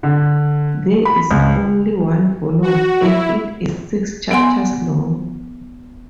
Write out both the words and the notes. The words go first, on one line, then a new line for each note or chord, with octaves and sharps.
There is only one volume and it is six chapters long.
D3
B5
C#2
F#4
E4
B3 F#5 G#5 C6